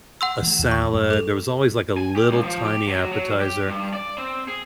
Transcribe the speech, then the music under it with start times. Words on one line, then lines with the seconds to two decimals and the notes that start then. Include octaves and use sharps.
a salad, there was always, like, a little, tiny appetizer,
0.21 F#5 C6 E6
0.43 E3 A3
0.59 D#2
0.71 C#6
0.93 F#2 G#3
1.10 A4 F7
1.97 G#5
2.16 G4
2.30 C#2
2.44 F3
2.65 G4
2.87 F#3
3.12 F#3
3.41 G4
3.68 G2
3.93 D5
4.18 C4
4.48 G#4